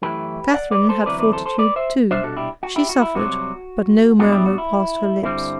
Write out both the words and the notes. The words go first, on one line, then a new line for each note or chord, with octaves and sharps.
Catherine had fortitude too; she suffered, but no murmur passed her lips.
F#2 E3 A3 E4 G4 B4
D5 F#5
B4 D5
A4 C5
E2 D3 F#3 C4 E4 B4 D5
B4 D5
A4 C5
A4 C5
B4 D5
C5 E5
C2 B2 G3 D4 C5 E5
F#4 A4
E4 G4
F#4
E4 G4
F#4
E4
C2 C3 F#3 F#4
A2 G3 B3 D4 F#4
E4 G4
F#4
E4
G2 D3 G3 C4 E4